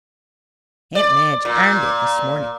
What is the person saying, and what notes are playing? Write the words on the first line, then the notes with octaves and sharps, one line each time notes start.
"Aunt Madge ironed it this morning."
D5
A#2